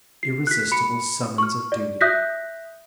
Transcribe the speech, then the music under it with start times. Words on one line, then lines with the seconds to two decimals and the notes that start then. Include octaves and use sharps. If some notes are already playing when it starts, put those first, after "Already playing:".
Irresistible summons of duty!
0.23 C7
0.47 F#6 B6
0.72 B5 C#7
1.38 C#6 F6
1.72 D5
2.01 E5 D#6 F#6 G6 A#6 B6